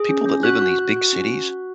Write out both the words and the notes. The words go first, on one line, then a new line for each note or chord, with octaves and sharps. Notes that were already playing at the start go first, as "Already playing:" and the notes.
people that live in these big cities,
Already playing: G#4
C#4
C#4
F#4 F#6
F#4
F#4
F#4
C#4
F#4
F#4